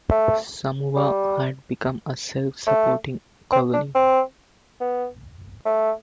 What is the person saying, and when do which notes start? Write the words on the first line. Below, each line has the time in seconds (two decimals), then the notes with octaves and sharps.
Samoa had become a self-supporting colony.
0.11 A3
0.96 G3
2.67 A3
3.52 C4
3.73 D4
3.95 C4
4.80 B3
5.65 A3